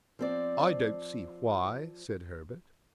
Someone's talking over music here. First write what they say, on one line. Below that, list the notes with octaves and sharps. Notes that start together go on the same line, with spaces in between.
"I don't see why," said Herbert.
F3 C4 D5